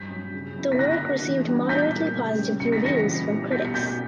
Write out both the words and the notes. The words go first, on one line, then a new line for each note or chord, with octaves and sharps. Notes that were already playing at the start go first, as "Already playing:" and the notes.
The work received moderately positive reviews from critics.
Already playing: G2 G6 B6
F#3 C#4
C#3
F#3 B3 E4
B6
D3 F#6 A#6
A#3 D4 F#4
E3
G3 B3 D4 F#4
A#2 G6 B6
G3 A#3
C#3
G3
C#4
C#3 C#7
B6
E3 G3 A#3 C#4 A#6 C#7
A#2
G3 B3 E4 G4
B2 G6 B6
C#7
A#3 C#4 F#4 G6 B6